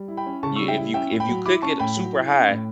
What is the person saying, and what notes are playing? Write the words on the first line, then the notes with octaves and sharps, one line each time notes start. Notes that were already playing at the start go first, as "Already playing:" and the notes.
You if you c if you cook it super high,
Already playing: G3
E4
G5 B5
C#4
C#3 A5 C#6
G3 C#6 E6
E5 G5
E4
C#4 E5 G5
A2
G5 B5
F#3
E4 B5 D6
C#4 A5 C#6
A2 G5 B5
F#3
E4
C#4
A2